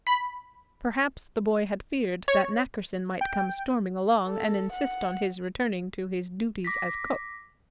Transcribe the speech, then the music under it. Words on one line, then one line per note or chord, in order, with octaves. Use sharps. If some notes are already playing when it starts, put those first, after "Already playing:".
Perhaps the boy had feared that Nackerson might come storming along, and insist on his returning to his duties as cook.
B5
C#5
G5
A4
F#5
D6 A#6 B6